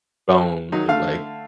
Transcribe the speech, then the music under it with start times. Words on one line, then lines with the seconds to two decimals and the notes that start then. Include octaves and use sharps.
bones of, like,
0.72 D#3 F#3 D#4
0.88 D3 A3 F5